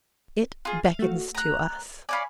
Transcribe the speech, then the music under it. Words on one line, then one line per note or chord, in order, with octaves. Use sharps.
It beckons to us.
F4 G#4
F5
A3 F#4
A#5 F#6
F4 C#5 D5 G#5 B5